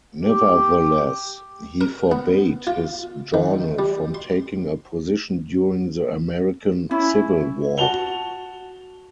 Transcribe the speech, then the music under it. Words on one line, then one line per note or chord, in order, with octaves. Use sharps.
Nevertheless, he forbade his journal from taking a position during the American Civil War.
G4
A#4
B3
F4
D#3
G3
C6
C#4 E4
F#4 A5 F7 G7